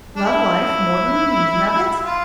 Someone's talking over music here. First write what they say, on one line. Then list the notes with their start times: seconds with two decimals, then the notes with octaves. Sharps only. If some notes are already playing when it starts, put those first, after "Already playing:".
"Love life more than the meaning of it?"
0.16 D4
0.25 E4
2.03 F4